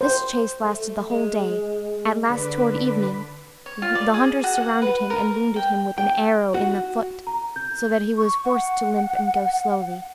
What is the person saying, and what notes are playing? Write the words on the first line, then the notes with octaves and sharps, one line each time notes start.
This chase lasted the whole day; at last, towards evening, the hunters surrounded him, and wounded him with an arrow in the foot, so that he was forced to limp and go slowly.
C5
A3
G#3
D3 B4
C#5
F4
D5
G#4
F#4
F#5
B4
A#4
G5
G5
F#4
A#5
G6
C#6
F#5